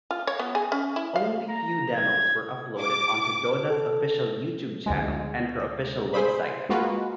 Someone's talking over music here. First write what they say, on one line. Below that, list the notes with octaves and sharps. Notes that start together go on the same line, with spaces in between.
Only few demos were uploaded onto Doda's official YouTube channel and her official website.
F4
C#5
B3
G#4
C#4
E4
F5
A#5
G#6
D6
A4
D2 G#3
G#4 C5 B5
G#3 A#3 F4 F#4 B4